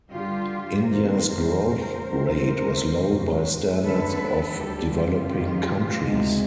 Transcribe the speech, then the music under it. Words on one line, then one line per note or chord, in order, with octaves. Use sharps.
India's growth rate was low by standards of developing countries.
G2 D3 G3 F4 G4
F2 C3 D#3 G3 A#4 C5
F2 C#3 F3
A2 E3 G3
A2 F#3
D#2 D3 F3 G#3 A4 B4
D2 D3 G3 G4 A4
F4 G4
G2 D#3 F#3
D2 C3 F3 G#3